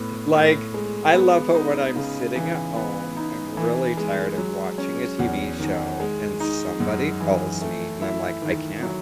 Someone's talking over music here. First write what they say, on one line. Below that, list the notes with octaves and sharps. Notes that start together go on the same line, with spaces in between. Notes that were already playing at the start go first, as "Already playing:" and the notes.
Like, I love it when I'm sitting at home, I'm really tired, I'm watching a TV show, and somebody calls me, and I'm, like, "I can't."
Already playing: A2 B3
A2
G#3
B3
D#4
C#3
E3
B3
D#4
E3
G#3
F#3
C#4
E2
D#3
G#3
D#4
F#2
E3
A3
E4
D#3
F#3